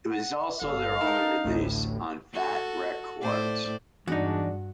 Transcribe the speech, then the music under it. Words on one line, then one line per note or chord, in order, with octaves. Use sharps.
It was also their only release on Fat Wreck Chords.
F#5
G1 A4 F5
D#4 A4 A#4
A1 D2 A2
F#4 A4
A2 C5 D5
E2 G2 G#3 D4 D#4 F#4